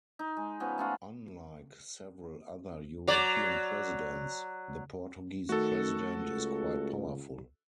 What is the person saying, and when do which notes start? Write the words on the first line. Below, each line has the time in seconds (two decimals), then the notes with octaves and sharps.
Unlike several other European presidents, the Portuguese President is quite powerful.
0.19 D#4
0.37 G#3
0.60 F3 B3 C#4
0.78 A3 C#4 F4 F#5
3.08 F#3 D5
5.49 D#3 A3 F#4 A4
6.16 C#2